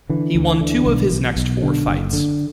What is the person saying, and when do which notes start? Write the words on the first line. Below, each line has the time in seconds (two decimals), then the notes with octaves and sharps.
He won two of his next four fights.
0.09 D3 E3
0.35 D2
0.48 E3
0.60 D3
0.86 B1
1.12 B1
1.36 B1
1.62 D3
1.88 F#1
2.13 D3